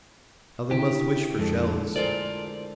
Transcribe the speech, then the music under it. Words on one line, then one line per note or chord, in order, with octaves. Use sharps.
"How they must wish for shells!"
D3 E4 G4
F2 G#3 A4
F4 A4 A#4 C5 D5